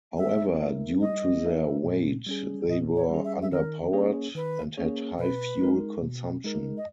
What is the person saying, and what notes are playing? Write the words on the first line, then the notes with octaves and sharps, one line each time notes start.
However, due to their weight they were underpowered and had high fuel consumption.
G3 E5
A#3 D#4 A#4 E5
G3 D#5
A#3 D#4 A#4 E5
A#2
G3 C#4 G#4
A#2 D#5
C#5
G3 C#4 G#4
E5
E5
D#3 A#4
A#3 C#4 G#4 C#5
D#3 B4
A#3 C#4 G#4 C#5
B2 B4
G#3 D#4 A#4
B2
G#3 D#4 A#4
D#5